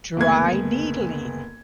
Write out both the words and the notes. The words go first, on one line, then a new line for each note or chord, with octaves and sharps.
dry needling?"
F#1 D2 B3 G#6